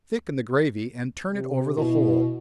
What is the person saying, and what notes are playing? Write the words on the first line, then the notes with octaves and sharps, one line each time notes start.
Thicken the gravy and turn it over the whole.
C3
B2 E4